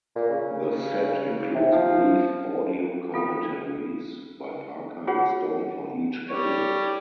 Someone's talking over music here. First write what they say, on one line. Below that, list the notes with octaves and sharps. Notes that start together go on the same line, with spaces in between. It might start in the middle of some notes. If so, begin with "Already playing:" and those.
The set includes brief audio commentaries by Parker and Stone for each episode.
A#2
C#3
C3
F3
F4 A4 F5 G5
D#4 F4 F#4 G#4 C#5 F#5
G3 C#5